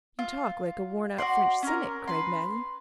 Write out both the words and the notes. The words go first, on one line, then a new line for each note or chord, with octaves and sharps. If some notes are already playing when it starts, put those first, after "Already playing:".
"You talk like a worn-out French cynic," cried Mattie.
F4
F#4 D5 C6
C#4 A#4
B4 C6